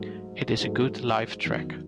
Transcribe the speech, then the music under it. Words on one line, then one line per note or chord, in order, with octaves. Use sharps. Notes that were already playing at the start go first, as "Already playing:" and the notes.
It is a good live track.
Already playing: G#2 F#3 A3
G#2 F#3 A3
E2 D#3 F#3